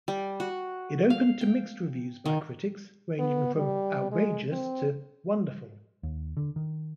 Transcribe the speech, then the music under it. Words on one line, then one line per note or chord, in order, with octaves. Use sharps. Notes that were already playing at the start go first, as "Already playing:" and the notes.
It opened to mixed reviews by critics, ranging from "outrageous" to "wonderful".
G3
F#4
F5
G5
D#3
B3
G3
G#3
C4
D#2
D3
D#3